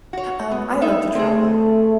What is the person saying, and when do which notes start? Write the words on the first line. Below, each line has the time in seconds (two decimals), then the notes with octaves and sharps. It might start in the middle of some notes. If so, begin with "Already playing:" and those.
Um, I love to travel.
0.13 F#4 C#5
0.51 B3
0.82 D#4 E5
1.15 A3 C4 G#4